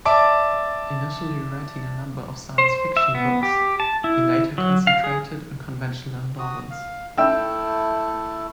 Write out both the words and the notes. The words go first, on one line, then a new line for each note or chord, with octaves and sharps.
Initially writing a number of science fiction books, he later concentrated on conventional novels.
D5 E5 A5 D6
C5
E5
B3
G4
A5
E4
F#3
F5
G#4
F#4 D#6
F5
A3 E4 A4 E5 G5 E6